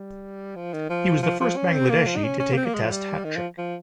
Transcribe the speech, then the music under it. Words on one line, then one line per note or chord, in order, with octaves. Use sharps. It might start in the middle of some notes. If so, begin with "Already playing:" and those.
He was the first Bangladeshi to take a Test hat-trick.
Already playing: G3
F3
D#3
F3
F3
F3
C#4
C4
A#3
F3
D#4
C#4
C#4
A#3
C4
A#3
G#3
F3
G3
D#3
F3
F3